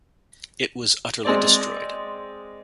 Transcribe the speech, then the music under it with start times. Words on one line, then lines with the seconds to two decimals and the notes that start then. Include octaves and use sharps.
It was utterly destroyed.
1.25 G#3 C4 D5